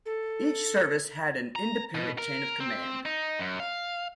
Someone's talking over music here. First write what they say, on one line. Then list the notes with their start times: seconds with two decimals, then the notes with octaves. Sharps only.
Each service had an independent chain of command.
0.06 A4
1.56 A#5
1.95 B2
2.18 A#4
2.60 C4
3.06 D#4
3.39 F#2
3.60 F5